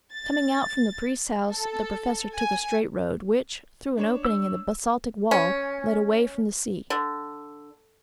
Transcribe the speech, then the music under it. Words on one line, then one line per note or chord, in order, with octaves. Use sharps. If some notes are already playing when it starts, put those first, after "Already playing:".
Coming out from the priest's house, the Professor took a straight road, which, through an opening in the basaltic wall, led away from the sea.
A6
A4
G#5
D4 C#5 E7
E6
C#4
D3